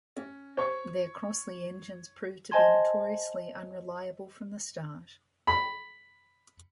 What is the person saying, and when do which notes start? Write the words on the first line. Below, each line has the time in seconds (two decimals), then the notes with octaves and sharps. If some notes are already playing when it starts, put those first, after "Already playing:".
Their Crossley engines proved to be notoriously unreliable from the start.
0.17 C#4
0.57 C5 C#5 C#6
2.51 C5 D#5 G#5 A5 C6 G#6
5.47 B5